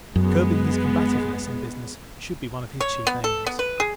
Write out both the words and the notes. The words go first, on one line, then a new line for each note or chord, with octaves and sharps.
Curbing his combativeness in business should be one of his chief aims.
F#2 G#3 B3
C#5
B3
A4
B3
B4
G#4